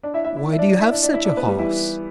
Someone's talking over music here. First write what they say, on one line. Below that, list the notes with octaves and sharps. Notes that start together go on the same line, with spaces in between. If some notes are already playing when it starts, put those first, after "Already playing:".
"Why do you have such a horse?"
D4 D5
E4 E5
E4 E5
E4 E5
E5
D4 D5
D4 D5
E4 E5
D4 D5
D4 D5
E4 E5
D4 D5
B3 B4
G3 G4
E3 E4